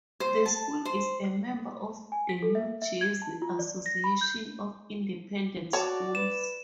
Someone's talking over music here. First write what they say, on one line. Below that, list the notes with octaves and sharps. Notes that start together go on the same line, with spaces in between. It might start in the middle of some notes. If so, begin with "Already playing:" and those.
The school is a member of the New Jersey Association of Independent Schools.
C5
A5
C5
G#5
B6
A4
E5
E5
G#6
A5
F4
D5
A#6
B5
G6
F#4 C#5 D5 A5
B4 E7